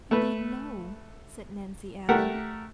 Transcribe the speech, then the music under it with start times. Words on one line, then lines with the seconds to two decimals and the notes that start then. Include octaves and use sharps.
"Indeed, no!" said Nancy Ellen.
0.11 A3 B4
2.09 A3 G4 A#4 F#5